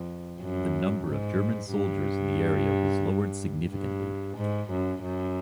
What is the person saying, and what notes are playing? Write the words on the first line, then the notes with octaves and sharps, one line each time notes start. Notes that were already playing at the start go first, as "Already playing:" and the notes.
The number of German soldiers in the area was lowered significantly.
Already playing: F2
F#2
G#2
G2
G2
G#2
F#2
F#2